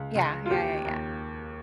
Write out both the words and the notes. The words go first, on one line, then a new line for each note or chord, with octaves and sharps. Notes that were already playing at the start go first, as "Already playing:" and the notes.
Yeah. Yeah, yeah, yeah.
Already playing: C#2
C#2
F4
D#2 G4
D#2